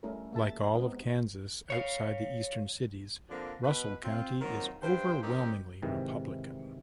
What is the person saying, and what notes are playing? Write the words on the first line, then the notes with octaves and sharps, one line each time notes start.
Like all of Kansas outside the eastern cities, Russell County is overwhelmingly Republican.
G3 A3 C#4 E4 A4 A#4
A#3 G#4 E5 A5
G#3 B3 C4 D#4
C#5 F5
D3 F3 A#3 C4 D4
B2 B4
C4 F4
D#3 F#3 A#3 C4 F4 A#4
G2 C5 G5
D#3 G3 C4 C#4 D#4 G4
G#2 C3 D#3 E3